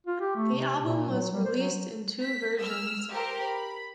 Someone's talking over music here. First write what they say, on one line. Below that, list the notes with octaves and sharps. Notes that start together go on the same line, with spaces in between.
The album was released in two versions.
F4
G4
A3
C3
A#2
F#3
G3
C5
F#3
B6
E6 F6
G4 A#4 C5
B5